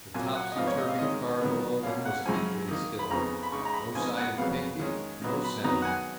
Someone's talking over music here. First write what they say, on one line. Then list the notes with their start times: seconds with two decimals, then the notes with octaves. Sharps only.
The topsy-turvy car below them was equally still; no sight of Pinky, no sound.
0.14 A#2 F#3 A#3 G#5
0.35 F#5
0.52 D#5
0.56 G#2 F3 B3 D#4 F5
0.67 C#5
0.78 D#5
0.88 F5
0.99 D#3 G#3 C#4 D#5
1.42 D#3 F#3 B3
1.83 B2 A#3 C#4 F5
2.05 F#5
2.26 F#2 C#3 F3 G#5
2.68 D#3 A#3 D#4
2.99 B5
3.10 F2 C#3 F3 B3 D#4 A#5
3.43 B5
3.52 C#3 G#3 D#4 C#6
3.65 A#5
3.73 B5
3.95 C#3 F3 G#3 B3 D#4 G#5
4.17 F#5
4.37 F2 C#3 F#3 B3 F5
4.79 D#3 G#3 C#4
5.22 A#2 F#3 B3 D#4
5.44 B5
5.64 D#3 F#3 B3 D#4 A#5
5.82 F#5
5.85 G#5